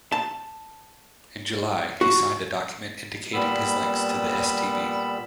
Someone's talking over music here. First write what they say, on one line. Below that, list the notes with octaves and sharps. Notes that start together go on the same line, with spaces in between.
In July, he signed a document indicating his links to the StB.
A5
F#4
A#2 G3 B3 B5 E6